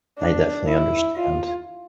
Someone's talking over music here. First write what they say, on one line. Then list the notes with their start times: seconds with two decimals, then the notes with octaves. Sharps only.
I definitely understand.
0.18 D4
0.67 E4
1.16 F4